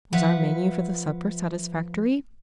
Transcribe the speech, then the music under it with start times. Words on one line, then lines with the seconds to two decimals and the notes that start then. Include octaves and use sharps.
Was our menu for the supper satisfactory?
0.13 F3 B4 E5 F#5